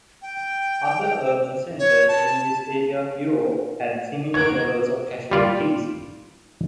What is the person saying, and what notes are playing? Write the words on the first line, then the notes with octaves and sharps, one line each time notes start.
Other urban centers in this area of Europe had similar levels of casualties.
G5
C#5
A5
A#3 A#4 C#5 F#5 G#6 D7
G3 F4 D5